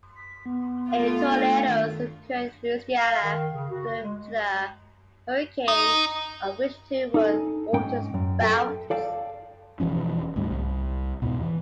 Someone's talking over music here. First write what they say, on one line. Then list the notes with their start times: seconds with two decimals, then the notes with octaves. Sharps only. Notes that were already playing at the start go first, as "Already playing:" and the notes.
Eight tornadoes occurred in Louisiana due to the hurricane, of which two were waterspouts.
0.15 B6
0.46 B3
0.90 A3 F4
1.32 D4
1.68 D#3
2.96 F5
3.23 D#3
3.53 C#3
3.71 F#4
4.01 G#3
5.68 D#4
7.14 D#4 A4 G#5
7.73 G#2 C#4 G5
8.14 F#2
8.40 A4 A#4 E5 G5 A5
8.90 A4 D5 F5 G5 A5
9.80 E1 E3 F3 C#4
10.36 D2 G#2 G3
10.51 C2
11.22 E2 G#2 B2
11.41 E3